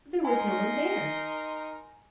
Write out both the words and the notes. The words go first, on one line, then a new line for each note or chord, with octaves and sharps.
There was no one there!
D#4 A#4 G#5 C6